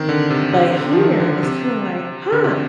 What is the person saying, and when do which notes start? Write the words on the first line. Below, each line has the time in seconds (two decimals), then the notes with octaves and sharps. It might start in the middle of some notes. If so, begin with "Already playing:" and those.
but here it's kinda, like, "Huh,
Already playing: D#3 C4
0.09 D3
0.30 C3
0.52 C3
0.75 D3
0.92 F3
0.98 D#3
1.20 D3
1.43 C3
2.32 D3
2.44 C3